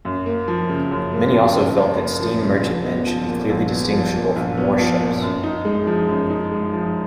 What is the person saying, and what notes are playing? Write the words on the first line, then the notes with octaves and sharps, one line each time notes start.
Many also felt that steam merchantmen should be clearly distinguishable from warships.
F#2
A#3
F3
C#3
F#2
A#3
F3
C#3
F#2
A#3
F3
C#3
A#1
B3
F3
A#2
A#1
B3
F3
A#2
A#1
B3
F3
A#2
F#2
D#4
G#3
F3
F#2
D#4
G#3
F3